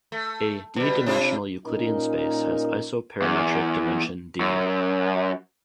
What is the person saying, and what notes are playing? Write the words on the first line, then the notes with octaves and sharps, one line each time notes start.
A "d"-dimensional Euclidean space has isoperimetric dimension "d".
A3
B2 G3
C3 D4 F4
A#2 C#4 D#4 A#4
E2
F#2